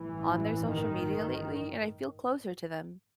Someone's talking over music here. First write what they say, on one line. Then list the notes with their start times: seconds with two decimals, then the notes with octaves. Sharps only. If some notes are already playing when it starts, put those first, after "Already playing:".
on their social media lately, and I feel closer to them.
Already playing: A1 G2 E3
0.65 D#3